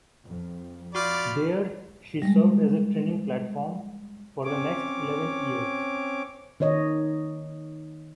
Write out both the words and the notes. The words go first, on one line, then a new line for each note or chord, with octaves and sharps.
There she served as a training platform for the next eleven years.
F2
F4 F#4 D5 B5 F6
G3 G#3
C4 C#4 C#5 D6
D#3 D#4 C#5 D#5